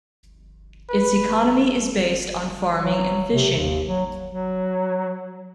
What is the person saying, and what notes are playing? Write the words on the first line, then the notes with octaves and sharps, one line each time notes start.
Its economy is based on farming and fishing.
B4
F#3
C3
D#2
F#3
F#3